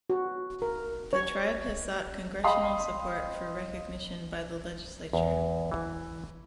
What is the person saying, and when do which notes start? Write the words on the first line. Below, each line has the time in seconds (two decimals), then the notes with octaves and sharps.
The tribe has sought Congressional support for recognition by the legislature.
0.10 F#4
0.62 A#4
1.13 C#5
2.43 D#5 F5 G5 B5 C6 D#6
5.13 E2
5.71 E3